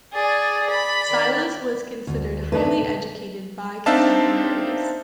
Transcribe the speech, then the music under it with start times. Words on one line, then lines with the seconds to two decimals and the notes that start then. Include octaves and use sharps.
Silius was considered highly educated by contemporaries.
0.14 G#4 D5
0.71 B5
1.09 D#3 D5
2.07 D2
2.52 A3 D4 D#4 B4
3.86 C4 D4 D#4 E5 F5 A5